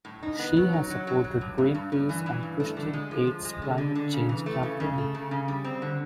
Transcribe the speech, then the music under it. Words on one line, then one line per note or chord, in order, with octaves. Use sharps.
She has supported Greenpeace and Christian Aid's climate change campaign.
A2
D#4
B3
F#3
D#4
F#3
F#3
F#3
G2
G2
G2
G2
E3
E3
G2
A3
D3
G#3
F3
F3
G#3
D3
D3
D3
C#3
E3
A3
C#3
C#3
A3
C#3
C#3
G3
C4
D3